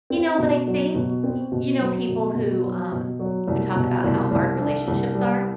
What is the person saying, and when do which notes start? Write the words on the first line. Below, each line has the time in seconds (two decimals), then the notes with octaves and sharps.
You know, but I think, y you know, people who, um, who talk about how hard relationships are,
0.10 C4
0.38 B2
0.68 F#3
0.94 B2
1.24 C4
1.52 B2
1.79 F#3
2.08 B2
2.35 B2
2.63 F#3
2.92 B2
3.19 F#3
3.48 C2
3.75 B2
4.04 C2
4.31 C2
4.60 D4
4.88 C2
5.15 G3